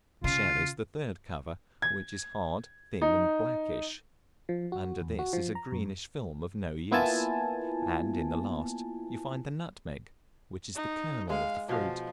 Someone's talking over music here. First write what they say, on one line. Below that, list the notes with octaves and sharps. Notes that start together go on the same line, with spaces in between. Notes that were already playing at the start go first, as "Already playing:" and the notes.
The shell is the third cover, which is hard, thin, and blackish; under this is a greenish film of no use; and in the last you find the nutmeg, which is the kernel of the fruit.
C#3 F4
G#6
D#4
F3
F#4
E2
F#4
F3
A#5
F#2
A#3 B3 E4 F4 G#5 A5
D#4
G#3 F5
B2 F3 F5